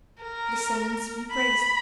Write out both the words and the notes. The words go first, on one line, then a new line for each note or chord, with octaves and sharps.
The saints be praised!
A#4
B5